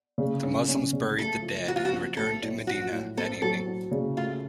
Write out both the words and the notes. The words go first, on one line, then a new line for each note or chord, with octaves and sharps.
The Muslims buried the dead and returned to Medina that evening.
C#3
C#4
C#4
C#3
A3 A4
F3
F3 F#4
F4
F#4
C4
A3 A4
A2
F3 F#4
A2
C4 A4
F#3 A4
F#3
C#3
A3 F4